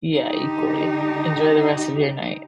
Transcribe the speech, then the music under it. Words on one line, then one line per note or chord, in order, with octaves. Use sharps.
Yeah, equally. Enjoy the rest of your night.
D3 D#4 G4